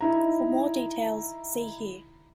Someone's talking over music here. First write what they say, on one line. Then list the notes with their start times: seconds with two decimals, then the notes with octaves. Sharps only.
For more details, see here.
0.01 D#4 E4 A#5